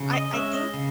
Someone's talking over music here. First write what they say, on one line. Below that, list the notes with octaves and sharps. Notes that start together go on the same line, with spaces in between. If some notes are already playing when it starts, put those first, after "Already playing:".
I I think
Already playing: C#3
D#5
G#3 C#4 E5
D#5
C#3